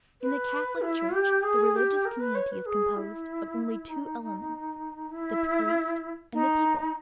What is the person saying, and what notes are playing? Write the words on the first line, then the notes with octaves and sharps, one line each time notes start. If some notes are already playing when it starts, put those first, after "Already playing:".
In the Catholic Church, the religious community is composed of only two elements, the priest and the people.
B4
E4
G4
G#4
G4
A#4
B4
C#5
B4
G#4
E4
D#4
E4
D#4